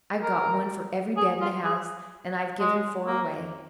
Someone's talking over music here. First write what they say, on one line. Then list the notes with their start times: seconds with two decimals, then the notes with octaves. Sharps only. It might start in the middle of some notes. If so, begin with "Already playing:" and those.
I've got one for every bed in the house, and I've given four away.
0.22 A#4
1.17 G#4
1.41 F4
1.64 G#4
2.60 G#3
3.06 A#3